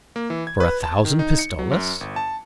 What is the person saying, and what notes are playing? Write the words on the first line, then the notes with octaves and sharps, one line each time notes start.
"For a thousand pistoles?"
A#3
E3
G#6
B4
A5
D#3
D#4
C#7
F#3
F#2
G1
A5